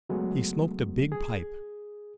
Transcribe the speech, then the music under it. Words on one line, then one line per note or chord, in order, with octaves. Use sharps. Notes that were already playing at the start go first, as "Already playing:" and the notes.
He smoked a big pipe.
C#3 F#3 G#3 A3 B3
G#4